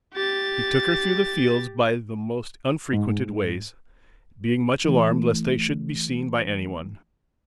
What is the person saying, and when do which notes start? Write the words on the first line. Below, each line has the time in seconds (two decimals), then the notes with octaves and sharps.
He took her through the fields by the most unfrequented ways, being much alarmed lest they should be seen by anyone.
0.14 G4 A6
2.93 G#2
4.85 E3 A3